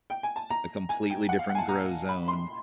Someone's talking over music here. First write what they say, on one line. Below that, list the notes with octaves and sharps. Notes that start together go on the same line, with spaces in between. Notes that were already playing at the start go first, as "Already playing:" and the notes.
A completely different grow zone,
G5
G#5
A5
A#5
G#5
G5
F#5
F5
F#5
G#5
A5
A#5
B5
C6